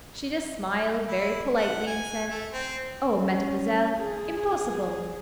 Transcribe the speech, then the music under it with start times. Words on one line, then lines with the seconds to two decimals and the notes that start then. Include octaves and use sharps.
She just smiled very politely and said, 'Oh, mademoiselle, impossible!
1.08 E4
1.56 F#5
1.87 G#5
2.30 A3
2.53 C4
3.18 C#4
3.98 G#4